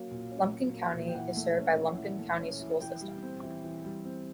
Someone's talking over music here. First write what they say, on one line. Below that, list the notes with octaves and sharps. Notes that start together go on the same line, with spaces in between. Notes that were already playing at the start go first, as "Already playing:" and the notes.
Lumpkin County is served by Lumpkin County School System.
Already playing: F#3 A#3 C#4 F5
A#2
C#4
F#3
A#3
A#2
G5
E3 F#5
A3
C#4
E3
E3
A3
C#4
E3
E3 G5
G3
C4
E3
E3
G3
C4